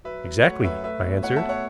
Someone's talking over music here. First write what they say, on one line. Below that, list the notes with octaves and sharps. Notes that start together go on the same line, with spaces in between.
"Exactly," I answered.
F#3 B4 E5
F#3
A3 C#5 F#5
F#2 B4 E5
A3 B4 E5
B2
A3 C#5 F#5
E5 A5
B2
C#5 F#5